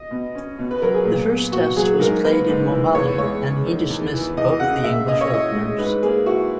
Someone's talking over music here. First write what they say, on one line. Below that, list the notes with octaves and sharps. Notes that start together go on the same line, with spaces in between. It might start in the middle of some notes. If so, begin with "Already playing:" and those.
The first Test was played in Mohali, and he dismissed both the English openers.
Already playing: D#5
B2
C#4
B2
B4
F#3 A#4
G#4
A#2
B3
A#2 F#4
F#3 G#4
G#2 A#4
A#3 B4
G#2
E3
E2 C#5
G#3 C#5
C#4
D#3
E2
E3
E2 D#5
C#3 F#5
A#2 E5
C#4 D#5
C#5
E4 D#5
G#3
G#2 B4
A#3 G#4
E4 F#4